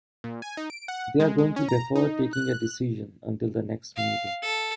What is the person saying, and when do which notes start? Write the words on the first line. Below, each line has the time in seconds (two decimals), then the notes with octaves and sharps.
They are going to defer taking a decision until the next meeting.
0.24 A#2
0.42 G#5
0.57 D#4
0.70 D7
0.88 F#5
1.20 G#3
1.38 G#3
1.56 C#4
1.69 A#5
1.95 D#4
2.33 F#6
3.96 F5
4.42 A4